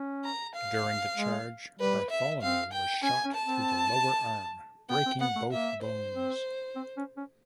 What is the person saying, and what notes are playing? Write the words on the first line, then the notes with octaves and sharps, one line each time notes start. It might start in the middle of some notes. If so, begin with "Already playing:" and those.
During the charge Bartholomew was shot through the lower arm breaking both bones.
Already playing: C#4
A#5
F5
G#3
G3 B4
E5
C4 F5
G5
C#4 G#5
C#4
A5
C4
B3 G5
C4
B3 F#5
A3
A#3 E5
C5
C4
C4
C#4
C#4